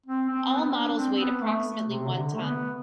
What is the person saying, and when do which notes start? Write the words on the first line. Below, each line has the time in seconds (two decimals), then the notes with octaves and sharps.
All models weighed approximately one tonne.
0.06 C4
0.29 C4
0.52 B3
0.73 D4
0.96 C4
1.19 B3
1.42 A3
1.86 C3
2.09 D3
2.34 A3
2.42 B3